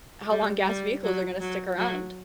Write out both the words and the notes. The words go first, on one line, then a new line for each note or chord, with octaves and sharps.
How long gas vehicles are gonna stick around,
G3
G3
F#3
F#3
F#3